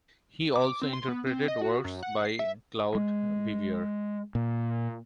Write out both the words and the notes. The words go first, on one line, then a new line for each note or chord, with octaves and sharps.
He also interpreted works by Claude Vivier.
D6
C4
C6
B3
C4
D#5
F#4
F#2
F#5
C7
E5
G#3
A#2